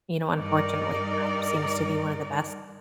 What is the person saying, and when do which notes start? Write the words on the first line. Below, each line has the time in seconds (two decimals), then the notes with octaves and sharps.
you know, unfortunately, time seems to be one of the best
0.36 G2 D#4 A#4 D5 D#5